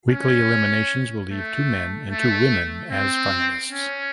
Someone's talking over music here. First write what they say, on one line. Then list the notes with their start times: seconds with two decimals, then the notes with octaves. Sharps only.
Weekly eliminations will leave two men and two women as finalists.
0.11 C#4
1.31 A3
2.10 A3
2.91 C4
3.70 C#4